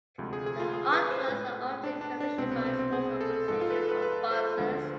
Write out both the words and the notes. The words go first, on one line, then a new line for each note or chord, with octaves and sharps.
The artworks are often commissioned by sports organisations or sponsors.
D2 C3 F3 G#3
G#4
G#4
F4
G#4
B4
C5
A2 G#3 B4
D4
D4
D4
C2 B2 G#3 C4
B3
C4
C4
G#4
A4
G#2 F3 G#3 A4
F4
B4
A4
B4
B4
C5
D2 D3 F3 G#3